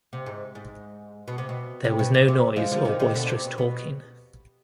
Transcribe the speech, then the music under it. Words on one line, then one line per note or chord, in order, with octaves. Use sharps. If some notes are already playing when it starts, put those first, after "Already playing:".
There was no noise or boisterous talking.
C3
G#2
G#2
B2
C3
B2
C3
B2
C3
C3
F3 G#3
D3 F3
C3 D#3
C3 D#3
B2 D3
C3
B2
B2